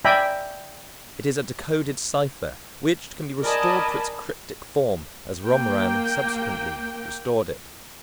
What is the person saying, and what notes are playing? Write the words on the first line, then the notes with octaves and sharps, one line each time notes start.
It is a decoded cipher, which can be restored to its cryptic form as Romarin subsequently restored it.
D5 E5 G5 G#5 A#5 B5
A#4 D5 D#5 G#5 A5 B5
A#3 G5